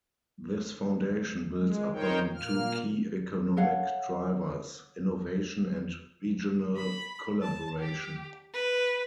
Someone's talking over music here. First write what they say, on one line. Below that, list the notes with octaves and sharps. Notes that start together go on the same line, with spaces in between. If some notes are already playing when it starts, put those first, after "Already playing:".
This foundation builds upon two key economic drivers - innovation and regional collaboration.
G#3
D#4 A#4 C5 C#5 G5
A#2 A#3 F6
A4 C#5 F5 F#5
B5
A5
G4
B4